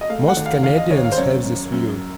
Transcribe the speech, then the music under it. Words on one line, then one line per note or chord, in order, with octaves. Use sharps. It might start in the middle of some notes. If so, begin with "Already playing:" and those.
Most Canadians have this view.
D#5
A3 F5
F#5
D#2
F5
D#2 F5
D#5
D#2 C#5
F5
C5
F#2 C#5
F#2
F#2